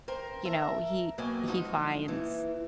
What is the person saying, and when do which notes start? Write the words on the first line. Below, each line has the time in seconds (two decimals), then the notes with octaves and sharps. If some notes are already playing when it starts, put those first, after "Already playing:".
you know, he he finds
0.08 A#4 C5 G5
0.45 A#4 E5 A5 A#5
1.18 B2 F#3 A#3 D#5 G5 G#5
1.48 F3 F#3 G#3 D#4 F#4
2.08 A#2 E3